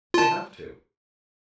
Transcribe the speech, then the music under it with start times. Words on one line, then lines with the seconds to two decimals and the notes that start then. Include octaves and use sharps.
They have to.
0.14 F4 A5